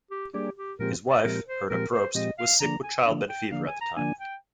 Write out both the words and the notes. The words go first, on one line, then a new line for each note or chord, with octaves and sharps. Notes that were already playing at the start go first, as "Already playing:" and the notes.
His wife, Herta Probst, was sick with childbed fever at the time.
G4
G3 A#3 D4 G4 G#4 D5
G4
A#2 F3 G#3 C4 G4 A#4
D5
A#2 F3 G#3 C4 G4 A#4
C5
A#2 F3 G#3 C4 G4 A#4
C5
A#2 F3 G#3 C4 G4 D#5
F5
D3 F3 A#3 D4 A#5
G#5
D3 F3 A#3 D4
G5
D3 F3 A#3 D4 F5
G#5
A#5
D3 F3 A#3 D4 G#5
G5